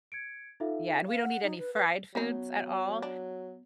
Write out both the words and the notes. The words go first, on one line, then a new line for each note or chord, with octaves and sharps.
Yeah, and we don't eat any fried foods at all,
G#6 C#7 D7
D#4 F4 A4 E5 F5
F5
F#5
D#4
B4
B4
F#3 B3 C#4 D#4
D4